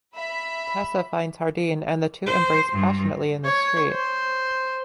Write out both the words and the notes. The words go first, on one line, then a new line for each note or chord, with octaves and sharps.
Tessa finds Hardin and the two embrace passionately in the street.
E5 B5
C5
G2
C#5
C5